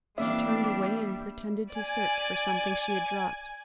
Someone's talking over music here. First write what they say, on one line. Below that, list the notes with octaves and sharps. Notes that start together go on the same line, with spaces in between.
She turned away, and pretended to search for something she had dropped.
E3 G3 A#3 C4 D4 E5 F5
D5 G#5